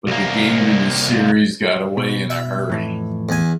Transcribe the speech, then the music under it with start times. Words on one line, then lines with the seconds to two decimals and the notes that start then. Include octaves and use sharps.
But the game and the series got away in a hurry.
0.07 C2 A#3
1.97 B2
2.30 E5
2.70 F2 A2 E3
3.29 E2 G#5